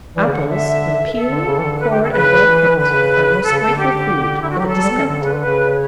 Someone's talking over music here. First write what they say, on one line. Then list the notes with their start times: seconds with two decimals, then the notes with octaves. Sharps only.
Apples, when peeled, cored, and well cooked, are a most grateful food for the dyspeptic.
0.16 E3 D5
0.26 C#3
0.32 D3 F#5
0.49 E5
1.07 B4
1.14 A4
1.30 D3
1.46 C#3
1.58 E3
1.63 D3
1.80 B4
1.91 G4
2.02 A4
2.12 C#3 B4
2.44 E3
2.69 E3
2.78 D3 B4
2.90 D3
2.94 C#3
3.44 A4
3.52 C#3
3.60 A4
3.68 C#3
3.76 D3 G4
3.92 D3
4.41 D3 E4
4.50 F#4
4.58 F#3 G4
4.66 A4
4.75 F#3
4.83 G3
4.90 B3
4.99 C#4
5.07 D3 A4
5.23 C#3 B4
5.35 D3 B4
5.47 C#3
5.67 D5
5.72 C#5